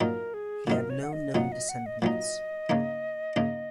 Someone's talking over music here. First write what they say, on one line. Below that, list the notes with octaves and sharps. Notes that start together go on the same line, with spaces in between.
He had no known descendants.
A#2 F#3 D#4 A#4
G#4
A#2 F#3 D#4 A#4
C#5
F#5
D#5
A#2 F#3 D#4 F#5
D#5
F#5
D#5
A#2 F#3 D#4 D#5
C#3 A#3 D#4
C#3 A#3 D#4